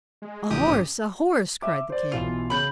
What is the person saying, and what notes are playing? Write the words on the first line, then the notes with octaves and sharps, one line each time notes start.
'A horse! a horse!' cried the king.
G#3
A#1 F#2 D3 E3 G4 D#6
G#2 C#4
E5 D6
C5 D5
B1 E3 F4 F7
C#3 B5 G6